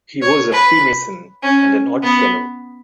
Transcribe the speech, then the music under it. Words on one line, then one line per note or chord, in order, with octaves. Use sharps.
He was a Freemason and an Oddfellow.
C#5
B4
C#4
B3